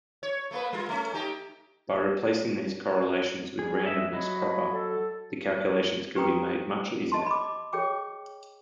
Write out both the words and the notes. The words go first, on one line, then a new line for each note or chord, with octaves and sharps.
By replacing these correlations with randomness proper, the calculations can be made much easier.
C#5
A3 A#3 B4
G3 F4
A3 C#4
A3 D#4 G4
F2 F3 G3 G#4
C3 G#3 D#5 E5
F#3 D#5 B5
A4
G4 B4 G5 A#5 D#6
D#5 A5 C6
B5 D6
G#4 C#5 G5 D6